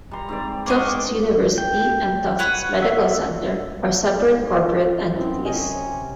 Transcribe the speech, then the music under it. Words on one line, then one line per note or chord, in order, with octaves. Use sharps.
Tufts University and Tufts Medical Center are separate corporate entities.
G3 A#5 C6
G#2 C4 D5
A#3 D4 D#5 C#6
G5
B4 C#5 F#5
E5
G#2
F#2 F3 B3 C4 E4
C3 C#4 D#5